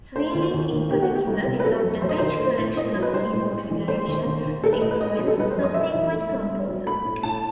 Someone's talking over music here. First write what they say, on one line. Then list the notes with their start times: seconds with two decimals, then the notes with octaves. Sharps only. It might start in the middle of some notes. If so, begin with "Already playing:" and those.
Sweelinck in particular developed a rich collection of keyboard figuration that influenced subsequent composers.
0.16 A3 C5
0.34 D#2
0.53 D#2
0.72 D#3
0.90 D#3 G4
1.02 F#4
1.09 A3
1.15 G4
1.27 C2
1.46 C3
1.60 B4
1.64 F#3 A4
1.83 F#2
2.02 F#2 C5
2.09 D#5
2.18 D#3 C5
2.39 A3
2.58 A2
2.76 A2 D#5
2.95 F#3
3.03 B4
3.13 G3 C5
3.33 A2
3.51 A2
3.70 E3
3.88 A3 C5
4.07 D#2
4.26 D#2
4.45 D#3
4.63 A3 A4
4.73 B4
4.82 A2 D#5
4.91 B4
5.00 A2 D#5
5.19 F#3
5.27 A4
5.38 G3 B4
5.51 C5
5.56 F#2
5.64 D#5
5.74 F#2 E5
5.94 E3
6.12 A3
6.30 G2
6.50 G2
6.69 F#3
6.86 A3 B5
7.05 A2
7.23 A2 A5